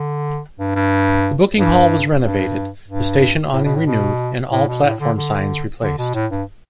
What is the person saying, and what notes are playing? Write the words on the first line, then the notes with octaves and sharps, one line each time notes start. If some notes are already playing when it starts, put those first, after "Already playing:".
The booking hall was renovated, the station awning renewed, and all platform signs replaced.
Already playing: D3
G2
G2
G2
G2
G2
A2
B2
A2
B2
A2
B2
A2
D3
D3
D3
B2
A2
G2